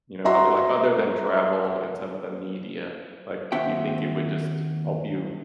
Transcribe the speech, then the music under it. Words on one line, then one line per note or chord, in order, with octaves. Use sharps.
you know, other like, other than travel and some of the media, like, do you think it would just help you
F#4 E5 A#5 C6
D#2 C4 F#4 E5 G5